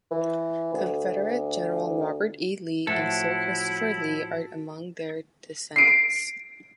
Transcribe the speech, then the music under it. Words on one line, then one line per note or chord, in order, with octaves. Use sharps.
Confederate General Robert E. Lee and Sir Christopher Lee are amongst their descendants.
E3
D2
A2 F3 E4 F#4 A4
C7 D7